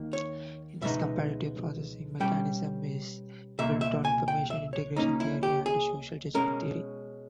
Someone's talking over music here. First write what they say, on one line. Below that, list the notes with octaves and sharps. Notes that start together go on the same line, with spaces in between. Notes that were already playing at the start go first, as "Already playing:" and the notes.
This comparative processing mechanism is built on "information-integration theory" and "social judgement theory".
Already playing: D#2 D#3 A#3
C#5
C#2 B2 G#3 B3 D#4 E5
B2 G3 C#4 G5
C#2 B2 A#3 E5
E5
G#5
G5
E5
C#5
C#2 B2 A#3 C#4 D#4
E4
G4
G#4
B2 G#3 C#4 A#4